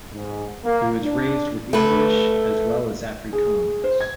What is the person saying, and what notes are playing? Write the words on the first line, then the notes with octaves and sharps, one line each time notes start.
He was raised with English as well as Afrikaans.
G#2
A#3
D4
A3 B4
G#4
C5
G#6